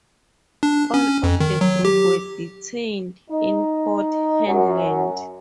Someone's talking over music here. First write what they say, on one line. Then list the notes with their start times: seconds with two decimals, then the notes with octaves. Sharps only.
All of the group were detained in Port Hedland.
0.63 D4
0.94 C#4
1.24 F2
1.40 D#3
1.61 F#3
1.85 G4
3.30 D#4
4.47 F#2